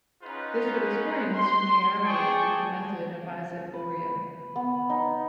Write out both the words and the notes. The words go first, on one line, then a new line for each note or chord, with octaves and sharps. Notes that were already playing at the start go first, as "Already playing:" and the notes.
This would explain his familiarity with the method of Isaac Luria.
C#4 D#4 F4 G#4 B4 F#5
C6
G#4 D5 G5 A5 C#6
B4
B3
D#4